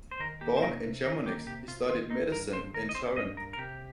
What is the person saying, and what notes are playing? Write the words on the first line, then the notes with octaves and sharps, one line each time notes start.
Born in Chamonix, he studied medicine in Turin.
C5
D#3 A#4
A#3 G4
C5
C3 A#4
C3
D#3 A#4
A#3 G4
C3 G4
C3 F4
D#3 F4
C4 D#4
G2 A#4
G2 C5
D#3 A#4
D#5
C4 C5
G2 D#5
G2 A#4
A#4
C3 G4